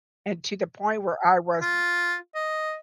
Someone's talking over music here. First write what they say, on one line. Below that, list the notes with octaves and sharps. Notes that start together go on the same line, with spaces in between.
and to the point where I was
F4
D#5